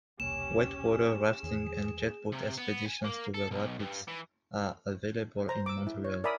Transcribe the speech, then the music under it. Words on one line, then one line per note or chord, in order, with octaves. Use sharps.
Whitewater rafting and jet boat expeditions to the rapids are available in Montreal.
E1 C2 A#3 C#4 G4 E7
E2 D#3 G#4
C3
B3
G#5
A#3
A4
B1
G2
E3
C5 A#5
D6 E6
E4
C#5
A#4 D5 E5 G#5 B5 D#6